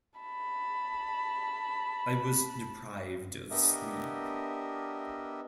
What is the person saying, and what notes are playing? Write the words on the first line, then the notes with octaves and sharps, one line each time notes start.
I was deprived of sleep.
A5 B5
B3 D4 G4 A#4 D#5 E5